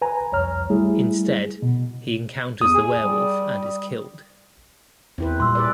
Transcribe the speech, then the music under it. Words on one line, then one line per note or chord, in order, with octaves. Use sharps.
Instead, he encounters the werewolf and is killed.
B4 G#5 A#5
C2 F2 C#5 A#5 F6
G3 A3 E4 G#4
B2
E2 D#6
G#4
G3
E2 C4 E4 B4
A#2 G3 C6 E6
G#4 B4 D5